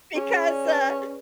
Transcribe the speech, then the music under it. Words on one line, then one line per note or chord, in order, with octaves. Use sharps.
Because, uh,
C#4 G#4
G#4
D5
B4